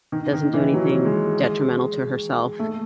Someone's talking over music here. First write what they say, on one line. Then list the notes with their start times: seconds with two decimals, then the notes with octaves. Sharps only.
doesn't do anything detrimental to herself.
0.12 D#3
0.33 D#3
0.53 E3
0.74 F#3
1.05 G#3
2.59 A3